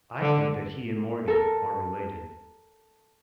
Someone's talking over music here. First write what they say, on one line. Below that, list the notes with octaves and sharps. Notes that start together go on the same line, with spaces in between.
I think that he and Morgan are related.
D3
A4 A#4